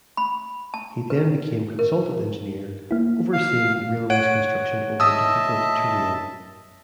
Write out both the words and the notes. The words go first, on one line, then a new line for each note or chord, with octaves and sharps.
He then became consultant engineer, overseeing the railway's construction over difficult terrain.
B5
A5
B4
A#4
A#3 E4
F5
C#5 F#5 D7
D#5 E5 A5 D#6 E6